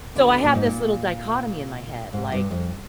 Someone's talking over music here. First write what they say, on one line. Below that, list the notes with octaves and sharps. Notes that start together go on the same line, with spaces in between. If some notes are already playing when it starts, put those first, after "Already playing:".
So, I have this little dichotomy in my head like,
D2 D3
A#2
G#2
A#2
G#2
G2
F2